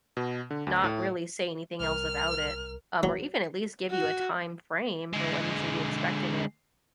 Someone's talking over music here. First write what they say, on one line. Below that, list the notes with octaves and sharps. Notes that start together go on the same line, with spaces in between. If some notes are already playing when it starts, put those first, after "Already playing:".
not really say anything else about it, um, or even at least give you a time frame for when you should be expecting it.
B2
D3
D2
A2
C2 A#4 F6
F#3
F#4
D3 G#3